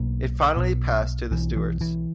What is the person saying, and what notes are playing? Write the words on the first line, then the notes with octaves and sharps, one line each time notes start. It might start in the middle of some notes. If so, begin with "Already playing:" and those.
It finally passed to the Stewarts.
Already playing: B1 B2 A#3
B1 B2
B1 B2 E3
E3
E3